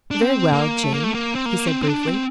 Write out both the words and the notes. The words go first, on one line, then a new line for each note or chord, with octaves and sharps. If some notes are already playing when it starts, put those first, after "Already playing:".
"Very well, Jane," he said, briefly.
D4
C4
A#3
A3
A#3
A3
A#3
C4
A#3
C4
C4
D4
C4